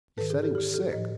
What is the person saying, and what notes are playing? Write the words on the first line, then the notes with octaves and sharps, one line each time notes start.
He said he was sick.
G#2 D#3 A4 B4
G#4
G4 A4
G4
G4 A4
A2 F3 C#5 D#5